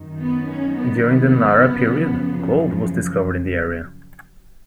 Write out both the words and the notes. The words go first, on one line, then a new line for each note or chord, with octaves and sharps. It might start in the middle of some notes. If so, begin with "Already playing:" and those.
During the Nara period, gold was discovered in the area.
Already playing: F#2 D#3
B3
C#4
B3
F#2 C#3 F3